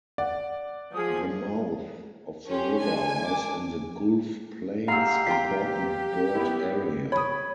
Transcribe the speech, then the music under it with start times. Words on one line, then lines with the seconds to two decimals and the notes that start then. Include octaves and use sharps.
The mouth of the river lies in the Gulf Plains Important Bird Area.
0.18 D5 F#5
0.94 F3 G#4 D#6
2.49 C#4 G4 C6
2.80 G#3 D4 G#5
3.24 D4 D6
4.88 G#2 F4 G4 F5 A#5 E6 C7
5.27 F4 G5 A#5 B6
6.35 B3 E4
7.12 C#5 B5 D#6